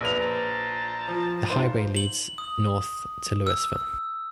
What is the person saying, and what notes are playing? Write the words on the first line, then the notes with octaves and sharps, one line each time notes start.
The highway leads north to Louisville.
A#1 B4 F7
C5 A5 A#5
F3
G#2 F4 C5
F#7
D#6
E6